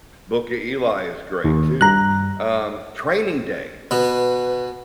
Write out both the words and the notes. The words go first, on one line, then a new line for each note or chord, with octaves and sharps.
Book of Eli is great, too. Um, Training Day!
D#2
G2 A#5 F#6
B2 B3 B4